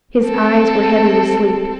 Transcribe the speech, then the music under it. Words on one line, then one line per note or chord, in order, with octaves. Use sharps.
His eyes were heavy with sleep.
C4 A4